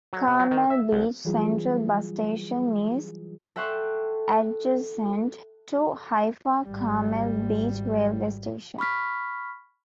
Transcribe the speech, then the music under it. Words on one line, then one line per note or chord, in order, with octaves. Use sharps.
Carmel Beach Central Bus Station is adjacent to Haifa Carmel Beach Railway Station.
F#3
C3
F#3
D#3
E5
C2
E3 F#3 G3 F4 G#4
A4 E5 F#5 G5 C6 C#6
G#1 G3
B5 C#6 F6 B6